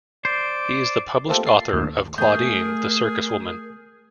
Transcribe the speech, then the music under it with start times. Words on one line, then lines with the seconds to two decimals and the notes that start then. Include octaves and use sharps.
He is the published author of "Claudine The Circus Woman".
0.25 C5 D5
1.27 A3 A#3 C4 F4 G4 A4
1.46 A6 C7
1.73 D#2 A2 D3
2.18 A3 G#4 A#4 G#5 G6